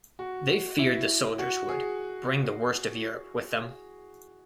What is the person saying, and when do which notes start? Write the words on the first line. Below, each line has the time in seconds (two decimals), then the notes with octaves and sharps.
They feared the soldiers would "bring the worst of Europe" with them.
0.19 F#4
0.79 E4
1.39 F#4
1.69 G#4